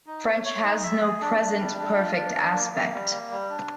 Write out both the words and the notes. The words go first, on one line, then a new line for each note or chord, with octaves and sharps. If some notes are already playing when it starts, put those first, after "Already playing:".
French has no present perfect aspect.
D#4
C#5
C#5
D#4
E5
G#4
D4
D4
G3
D4
F4
D4
D4
A#3
A#3
G3
A#3
G3
D4